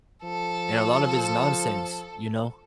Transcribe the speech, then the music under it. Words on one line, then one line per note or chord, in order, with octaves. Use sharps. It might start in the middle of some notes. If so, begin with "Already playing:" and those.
And a lot of it is nonsense, you know?
F3 A4